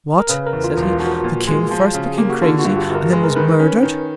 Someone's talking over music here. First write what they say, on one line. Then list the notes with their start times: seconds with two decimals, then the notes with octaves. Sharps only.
What, said he, the King first became crazy, and then was murder'd.
0.19 A#4
0.29 C#3 B4
0.46 A#4
0.53 E2
0.64 F4
0.77 E1
0.82 F4
1.00 F3 F#4
1.24 A#2
1.47 G#3
1.71 F3
1.94 C#3
2.06 G#4
2.18 A#3 G4
2.30 F#4
2.42 D3 F4
2.59 F#4
2.65 G2
2.76 G4
2.89 G1
2.95 A#4
3.13 G#3 B4
3.24 A#4
3.35 D#3 B4
3.60 C#4
3.83 D#3